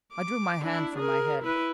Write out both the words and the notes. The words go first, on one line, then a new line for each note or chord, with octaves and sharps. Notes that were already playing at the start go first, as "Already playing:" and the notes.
I drew my hand from my head.
D6
D4 E4
G#4 A#4
E4 B4